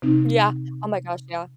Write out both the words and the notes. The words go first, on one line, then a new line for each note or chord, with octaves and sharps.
Yeah. Oh my gosh, yeah.
C3 C4 D#4